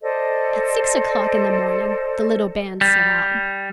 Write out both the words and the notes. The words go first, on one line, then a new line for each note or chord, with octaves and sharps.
At six o'clock in the morning the little band set out.
A4 C5 D5 D#5
G3